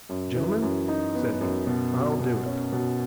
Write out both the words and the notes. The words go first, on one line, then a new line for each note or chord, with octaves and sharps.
"Gentlemen," said he, "I'll do it!"
F#2
E3
F#2
D#4
B3
F#2
B2
B2
B2
C#4
B2